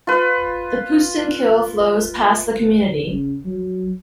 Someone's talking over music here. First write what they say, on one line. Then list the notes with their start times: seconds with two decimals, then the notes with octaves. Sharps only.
The Poesten Kill flows past the community.
0.07 F4 B4
3.10 C#3
3.45 F#3